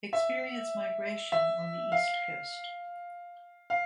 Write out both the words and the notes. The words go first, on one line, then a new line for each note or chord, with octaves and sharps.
Experience migration on the east coast.
E5
E5
F5
F5